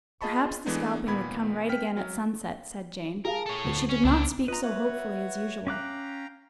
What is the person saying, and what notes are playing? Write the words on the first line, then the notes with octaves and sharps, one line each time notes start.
'Perhaps the scalping would come right again at sunset,' said Jane; but she did not speak so hopefully as usual.
F4 G#4 D#5 A5 B5 C#6
E3 G#3 A3 B3 D4 D#4
A#2 D#3 B3 B5 G#6
G5 F6 B6
F#3
G#4 A#4 F5 A5
A4 C#5
D2
C#4
C#2 D4 E4
F4 B4 D#5 A#5
F#4 B4 C#5 E5 F#5
C#4 F5 G5 A#5 D6 F#6